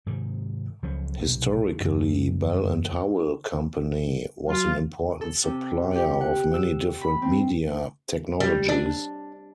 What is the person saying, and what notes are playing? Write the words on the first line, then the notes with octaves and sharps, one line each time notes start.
Historically, Bell and Howell Company was an important supplier of many different media technologies.
G#2 C3 D#3
C#2 F3 F#3 C#4
B1 C3
F#2 C#3
F#3 F4
A4
C3
G4
F#5
E6
B5
C4
G3
D4